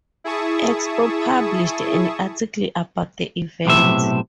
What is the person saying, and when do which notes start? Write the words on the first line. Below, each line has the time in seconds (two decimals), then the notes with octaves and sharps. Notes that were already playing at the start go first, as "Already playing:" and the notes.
Expo published an article about the event.
0.24 E4 G#4 E5 A5 C#6 D#6
3.66 B1 A2 C3 E5